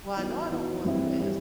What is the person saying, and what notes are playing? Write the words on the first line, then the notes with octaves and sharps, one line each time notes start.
"Well, I know I don't want this."
E3 B3 D#4 F#4
E3 B3 D#4 F#4
G2 E3 G3 C4 E4
E3 G3 C4 E4